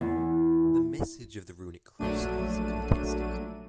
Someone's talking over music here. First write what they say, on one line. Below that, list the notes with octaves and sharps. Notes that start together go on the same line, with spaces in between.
The message of the runic cross is contested.
E2
A#1 F#3 A3 D4 D#7